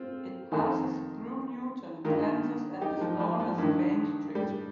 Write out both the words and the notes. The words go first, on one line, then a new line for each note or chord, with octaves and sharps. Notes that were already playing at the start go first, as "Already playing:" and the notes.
It passes through Newton, Kansas and is known as Main Street.
Already playing: C4 F4
F2 D#3
G2 D#3 F4 A#4
D#4 G4
F3
F3
F3
G2 D#3
G3